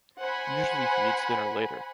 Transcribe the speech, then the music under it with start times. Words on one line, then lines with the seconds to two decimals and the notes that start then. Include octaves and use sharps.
Usually he eats dinner later.
0.20 C5 F#5 G#5 B5